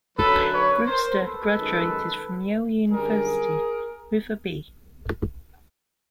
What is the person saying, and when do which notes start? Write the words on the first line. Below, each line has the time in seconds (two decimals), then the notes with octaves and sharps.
Brewster graduated from Yale University with a B.
0.17 F#2 D3 F#3 A4 B4
0.51 B4 C#5
0.86 A#4 C5
1.20 A4 B4
1.54 F#2 D#3 G#3
2.90 F#2 D3 G3 G#4 A#4